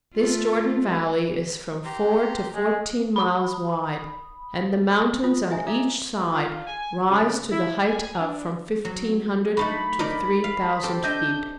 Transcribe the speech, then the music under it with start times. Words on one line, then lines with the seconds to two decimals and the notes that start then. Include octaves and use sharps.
This Jordan valley is from four to fourteen miles wide and the mountains on each side rise to the height of from fifteen hundred to three thousand feet.
0.15 A3 F4
1.85 G4 A#5 C6
2.55 G#3
3.16 B5 D#6
5.23 F4 C5 D#6
5.50 D#5 E5 G#5 A#5
5.66 E4 A4 D5 E5 F5 D6
6.33 F4
6.66 G#5
7.09 C#3
7.51 E4
7.84 G#5
8.17 D4
8.85 F#3
9.57 A3 D#4 F#4 B5
9.99 D#4 A#4 D5
10.44 F5
10.83 C4 G4 A4
11.03 D4 D#5 E5 G6